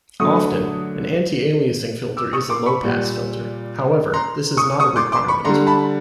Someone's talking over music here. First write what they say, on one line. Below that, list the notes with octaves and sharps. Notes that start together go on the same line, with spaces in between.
Often, an anti-aliasing filter is a low-pass filter; however, this is not a requirement.
D3 F#3 A3 C#6 D#6
D6 E6
C#6 D#6
C6 D6
B5 C#6
A#2 G3
A#5 C6
C#6 D#6
C#6 D#6
C6 D6
C6 D6
B5 C#6
D3 G3 A#5 C6
A5 B5